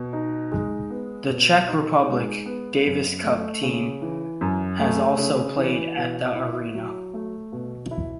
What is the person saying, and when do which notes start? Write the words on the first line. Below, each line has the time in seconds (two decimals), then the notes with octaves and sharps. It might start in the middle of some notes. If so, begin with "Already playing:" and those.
The Czech Republic Davis Cup team has also played at the arena.
Already playing: B2
0.13 D#4
0.52 G#3
0.90 B3
1.29 B2
1.68 D#4
2.07 G#3
2.46 B3
2.85 F#2
3.24 A3
3.63 C#3
4.01 E3
4.41 F#2
4.79 A3
5.18 C#3
5.57 E3
5.97 B2
6.35 E4
6.75 F#3
7.14 A3
7.52 B2
7.91 E4